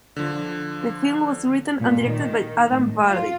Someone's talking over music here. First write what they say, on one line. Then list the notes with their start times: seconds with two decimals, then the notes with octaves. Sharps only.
The film was written and directed by Adam Vardy.
0.16 D3 F3
1.79 A#2
2.07 D#3
2.66 A2
3.04 F4